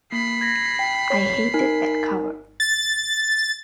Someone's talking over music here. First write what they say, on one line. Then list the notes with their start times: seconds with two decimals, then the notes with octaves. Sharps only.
I hated that cover.
0.12 A#3 B5 C7
0.41 G#6 A#6
0.79 G5
1.10 C#5
1.54 D#4 A#4 G#5
2.60 A6